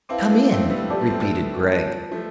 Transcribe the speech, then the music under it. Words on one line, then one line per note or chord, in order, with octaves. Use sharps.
"Come in," repeated Gregg.
C4 E4 B4 F5 A5 D6
B3 D4
A3 C4
A3
G3 B3
F3 A3 G4 D5 A5 D6
G3 B3
A3 C4
G3 B3
F4 B4 D5 A5
F3 A3